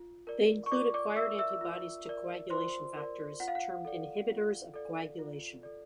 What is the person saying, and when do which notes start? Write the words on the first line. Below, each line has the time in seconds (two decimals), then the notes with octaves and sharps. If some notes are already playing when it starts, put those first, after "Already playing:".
They include acquired antibodies to coagulation factors, termed inhibitors of coagulation.
Already playing: F4
0.27 A#4 D5
0.66 C#6
0.72 F4 D5 D6
0.94 D5 D6
1.17 A#4 D5 E5 E6
1.39 E5 E6
1.61 F4
2.06 A#4 D5
2.50 F4 C5 C6
2.95 A#4 D5
3.40 F4 F#5
3.48 F5
3.55 F#5
3.85 A4 D5
4.29 F4
4.74 A4 D5
5.19 F4
5.63 A4 D5